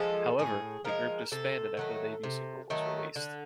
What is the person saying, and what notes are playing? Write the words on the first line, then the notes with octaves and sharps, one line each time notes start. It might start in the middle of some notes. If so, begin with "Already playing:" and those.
However, the group disbanded after the debut single was released.
Already playing: F3 G#3 A4
A2 G#4
F3 G#3 A#4
C3 A4
D#3 F#3 A3
C3
D#3 F#3 A3
D3